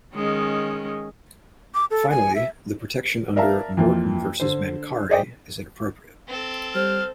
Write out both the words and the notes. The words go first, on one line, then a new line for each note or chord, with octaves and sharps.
Finally, the protection under "Morton versus Mancari" is inappropriate.
D#3 G#3 C#4
D6
A4
G#5
E5
A#4 D5 E5 F5 A5 A#5
F2 E3 A#3 F4
D3 C5
G#4 C5 D5 D#5 G5
C4 A4
G3 C5 F6